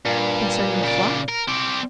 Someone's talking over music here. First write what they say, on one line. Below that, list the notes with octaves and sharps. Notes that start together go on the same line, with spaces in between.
Concerning the flock?
G2 A#2
C#3 D5
A#4
C4 D5